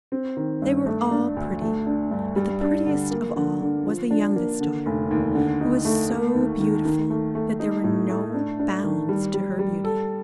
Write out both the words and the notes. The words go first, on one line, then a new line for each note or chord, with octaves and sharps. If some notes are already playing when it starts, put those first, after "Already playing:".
They were all pretty, but the prettiest of all was the youngest daughter, who was so beautiful that there were no bounds to her beauty.
C4
D#3
G2
A3
D4
D2
A3
D4
G2
G3
D4
D3
A#3
D3
D3
F3
D4
A#3
D3
F1
D#2
D3
D#4
A3
A#3
D#2
D#3
D#3
A3
A3
D#4
A2
A3
D4
D4
D#3
G3
G3
G3
A4